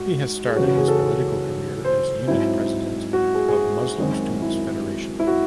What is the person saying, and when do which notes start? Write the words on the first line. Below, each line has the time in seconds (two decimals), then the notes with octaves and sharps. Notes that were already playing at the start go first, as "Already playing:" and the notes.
He has started his political career as unit president of Muslim Students Federation.
Already playing: G#2 G#3 F#4
0.47 G#4
0.56 F#1 E2 C#3 F#3 C#4 F#4
0.67 F#4
0.77 G#4
0.88 A4
0.99 A4
1.85 C5
2.27 G#2 F#3 C4 E4
3.13 F#4
3.35 G#4
3.48 G#4
3.55 F#4
3.98 F#2 D#3 G#3 C4
4.42 E4
5.20 E4
5.27 F#4